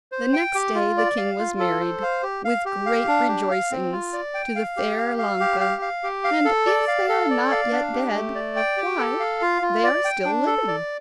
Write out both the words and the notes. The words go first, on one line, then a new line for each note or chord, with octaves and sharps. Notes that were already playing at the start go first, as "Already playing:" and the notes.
The next day the king was married, with great rejoicings, to the fair Ilonka; and if they are not yet dead--why, they are still living.
C5
G5
G4
F4
D5
F5
F4
A4
C5
F5
G4
F5
G4
F5
D4
G4
F5
C4
F4
D5
G5
F5
G4
F5
F5
G4
F5
F5
G4
F5
A4
D5
F5
A4
D5
F5
D4
G4
A3
D5
G5
G4
A4
F5
F4
F4
D5
G5
D4
A4
D5